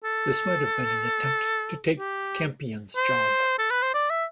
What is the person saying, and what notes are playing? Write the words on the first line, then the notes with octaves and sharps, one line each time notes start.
This might have been an attempt to take Campion's job.
A4
G4
C5
A4
B4
C5
D5
E5